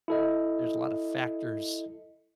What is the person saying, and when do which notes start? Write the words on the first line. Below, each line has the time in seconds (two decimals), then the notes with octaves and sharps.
there's a lotta factors
0.08 E4 A4 D#5